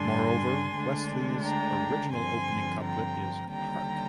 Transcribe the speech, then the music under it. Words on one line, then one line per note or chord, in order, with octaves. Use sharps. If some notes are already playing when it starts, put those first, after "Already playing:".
Moreover, Wesley's original opening couplet is Hark!
Already playing: G2 D3 G3 D4 G#5 C6
D2 D3 G#3 D4
G5 A#5
G2 D3 F3 C4 G#5 C6
G5 A#5
D#2 D3 G3 G5 A#5